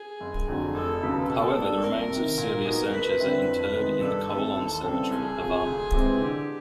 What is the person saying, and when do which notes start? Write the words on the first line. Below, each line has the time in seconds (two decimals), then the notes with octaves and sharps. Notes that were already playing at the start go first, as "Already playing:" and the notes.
However, the remains of Celia Sanchez are interred in the Colon Cemetery, Havana.
Already playing: G#4
0.20 F#1
0.48 F2 D3 F#3
0.74 F1 A4
1.01 D#2 C#3 F#3 B3
1.28 B2 A4
1.56 G3 A#3 D4
1.83 C2 A#4
2.10 C3
2.15 D#3
2.38 A#2
2.65 F#3 B3 D#4 G#4
2.92 D2 B4
3.20 D3 G3 C4 E4
3.47 F2
3.74 C3 D#3 G#3 B3
4.01 G2 A4
4.28 E3 A3 C4
4.56 D#2
4.84 C#3 E3 G3 C4
5.11 C2 G#4
5.38 C3 F3
5.65 D2
5.93 C3 E3 G#3 C4
6.20 D3 G4